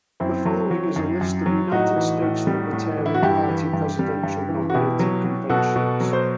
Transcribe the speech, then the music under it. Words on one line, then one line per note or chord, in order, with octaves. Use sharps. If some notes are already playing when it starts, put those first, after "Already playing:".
The following is a list of United States Libertarian Party Presidential nominating conventions.
F#2 C4 E4
F#3
F#3
F#2
F#2
F#3
A2 D#4 F#4
E3
A2
G3
A2
E3
E4
F#4
G2 E4 G4
E3
G2
G3
G2
E3
F#4
B2 E4 G4
F#3
F#3
B2 F#4 A4
B2
F#3
C5